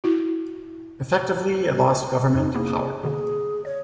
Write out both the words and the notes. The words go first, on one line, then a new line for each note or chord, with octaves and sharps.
Effectively it lost government power.
E4 F#4
F2 B2 D#4
A#3 B3 E4 G#4
B2 D3 A#3 G#4
C#5 D5